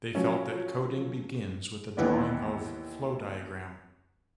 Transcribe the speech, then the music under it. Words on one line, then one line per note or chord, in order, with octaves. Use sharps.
They felt that coding begins with the drawing of flow diagram.
F3 F#3 C#4
D#2 E3 B3 D5